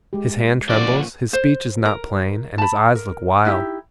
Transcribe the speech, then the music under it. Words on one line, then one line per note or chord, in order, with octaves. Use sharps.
'His hand trembles, his speech is not plain, and his eyes look wild.
G#3 G4
A#2 D3 F3 C#4 F#4 D5
C5
A#4
A5 B5
A#4
D#4 E4 G4